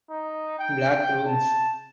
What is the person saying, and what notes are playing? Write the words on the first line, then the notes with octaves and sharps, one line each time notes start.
Black Rooms!
D#4
G5
A5